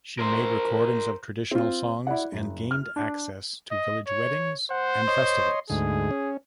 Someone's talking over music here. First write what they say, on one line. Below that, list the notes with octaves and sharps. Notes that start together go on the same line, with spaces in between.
She made recordings of traditional songs and gained access to village weddings and festivals.
A#4 C5
C4 F4
E4 D5 F#5
F#1
F6
D4
D#5
C#5
C5 F#5
C#5 D#5 C6
D2 G#2 G#4
C#4